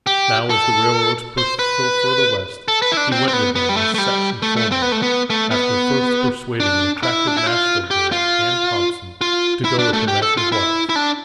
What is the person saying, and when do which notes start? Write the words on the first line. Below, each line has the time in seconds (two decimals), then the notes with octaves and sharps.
Now as the railroads pushed still further West, he went with them as section foreman--after first persuading an attractive Nashville girl, Ann Thompson, to go with him as his wife.
0.07 G4
0.50 A4
1.38 C5
1.59 B4
2.68 A4
2.82 B4
2.92 E4
2.97 D4
3.12 C4
3.28 C4
3.33 B3
3.56 B3
3.69 G3
3.76 A3
3.94 A3
3.98 G3
4.42 A3
4.57 A3
4.72 C4
4.82 B3
4.92 A3
5.02 B3
5.30 A3
5.51 B3
6.60 D4
7.03 E4
7.27 D4
7.37 E4
7.46 F4
7.91 G4
8.12 F4
9.21 F4
9.65 E4
9.79 D4
9.93 A3
10.08 G4
10.22 A4
10.37 F4
10.52 E4
10.89 E4
10.96 D4